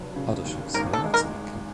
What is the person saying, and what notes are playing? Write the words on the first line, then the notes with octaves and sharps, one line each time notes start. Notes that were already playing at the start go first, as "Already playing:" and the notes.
Other ships were not so lucky.
Already playing: F1 F#3
C#3
D#2
G#1 A#4
A4
G#3
A#4